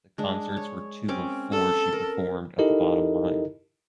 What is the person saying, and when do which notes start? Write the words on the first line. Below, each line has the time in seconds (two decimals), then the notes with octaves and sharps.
The concerts were two of four she performed at The Bottom Line.
0.18 G#3 D4
0.57 C#5
1.08 C4 C#4 D6
1.52 A4
1.92 A#4
2.59 D#4 E4 G4 A4 A#4 D#5